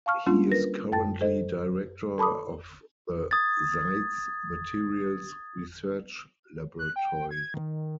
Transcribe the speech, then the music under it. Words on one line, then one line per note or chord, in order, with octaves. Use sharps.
He is currently Director of the Seitz Materials Research Laboratory.
F5 A5 C#6 F6
G3 A#3 C#4 D4 F4
A#4 B4 A#6
F#2 G5 A5 A6
A4 C5 D#5
A4 A5 B5 D6 D#6
D#6 G#6 A6
F#6
G5
G#6
D#3